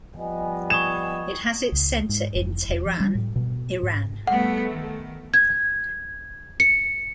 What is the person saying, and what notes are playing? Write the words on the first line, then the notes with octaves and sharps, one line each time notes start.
It has its centre in Tehran, Iran.
F3 G3 B3 D#5 G#5
C#6 D#6 G#6 E7
C#2
G#2
F1
E1
F3
G3
A2
B2
G#2
G3 A3 B3 F#5
D#3
G#6
C#7